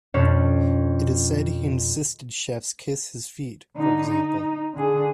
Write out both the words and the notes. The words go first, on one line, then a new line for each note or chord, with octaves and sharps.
It is said he insisted chiefs kiss his feet, for example.
F2 B2 C#4 D4 A4 C#5
D3 D#4
D#4
D3 G#4